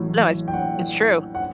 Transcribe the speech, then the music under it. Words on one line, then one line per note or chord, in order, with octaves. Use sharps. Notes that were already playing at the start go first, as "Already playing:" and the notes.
No, it's it's true.
Already playing: A1 A2 F#3
G5
F#5
F#5